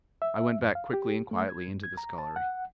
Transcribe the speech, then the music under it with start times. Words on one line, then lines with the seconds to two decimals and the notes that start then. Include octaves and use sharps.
I went back quickly and quietly into the scullery.
0.22 E5
0.60 F#2
0.75 F5
0.93 G4
1.31 A3
1.49 G#6
1.68 G2
1.84 G#6
1.97 A#5
2.18 A5
2.36 F#5